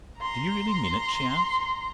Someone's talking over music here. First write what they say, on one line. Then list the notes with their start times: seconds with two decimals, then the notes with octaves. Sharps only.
"Do you really mean it?" she asked.
0.18 A#5 C6